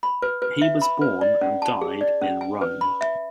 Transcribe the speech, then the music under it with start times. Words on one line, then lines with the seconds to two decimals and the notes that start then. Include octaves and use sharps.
He was born and died in Rome.
0.03 B5
0.22 B4
0.42 B4
0.62 E5
0.82 B5
1.01 B4
1.21 D5
1.41 C#4
1.62 A5
1.81 G#4
2.01 D5
2.22 C#4
2.41 G#5
2.61 B4
2.81 B5
3.01 E5